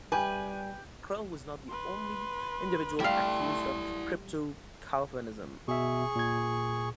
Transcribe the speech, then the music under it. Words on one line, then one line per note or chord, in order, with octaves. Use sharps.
Krell was not the only individual accused of Crypto-Calvinism.
G3 G4 B4 G5 G#5
B4 C6
G3 A3 E4 D5 F5 C6
B2 G#4 E5 C#6
A#2 G#6